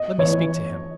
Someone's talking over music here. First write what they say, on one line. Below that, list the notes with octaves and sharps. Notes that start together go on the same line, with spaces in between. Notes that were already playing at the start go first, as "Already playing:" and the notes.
Let me speak to him.
Already playing: D#5
E3 C#5